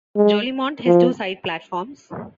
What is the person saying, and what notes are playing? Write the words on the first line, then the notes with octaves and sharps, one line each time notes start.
Jolimont has two side platforms.
G#3
F3